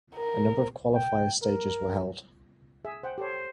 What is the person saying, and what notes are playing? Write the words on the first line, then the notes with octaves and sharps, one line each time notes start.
A number of qualifier stages were held.
A#4
G5
A#4
G#4 E5
C5 F#5 G5
G4 A4 C5 C#5